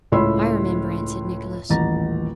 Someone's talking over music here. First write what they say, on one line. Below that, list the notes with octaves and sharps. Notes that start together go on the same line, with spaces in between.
"I remember," answered Nicholas.
C#2 A2 C#5 B5 C6 E6
D#1 A1 A#5 A6